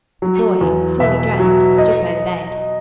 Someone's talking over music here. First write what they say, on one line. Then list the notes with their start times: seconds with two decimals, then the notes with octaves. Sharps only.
The boy, fully dressed, stood by the bed.
0.22 F#3
0.61 E2
1.00 B2 E5
1.40 F#3
1.78 D#5